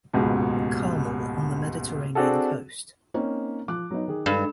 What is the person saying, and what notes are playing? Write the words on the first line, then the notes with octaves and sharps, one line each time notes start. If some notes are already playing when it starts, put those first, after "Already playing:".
Carmel on the Mediterranean coast.
D#1 C#2 G#2 B2
C4 D4 F#4 G#4 A4
A#3 C4 C#4 D#4
F3 D6 F#6
F#3 B3 D#4
D#3 G#4
G2 G#3 A4 E7